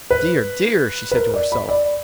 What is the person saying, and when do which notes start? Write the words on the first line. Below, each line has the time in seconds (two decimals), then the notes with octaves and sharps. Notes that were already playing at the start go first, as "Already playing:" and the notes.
'Dear, dear!' she said to herself.
0.11 B4
1.11 B4
1.16 A#4
1.34 D5
1.52 B5
1.69 D5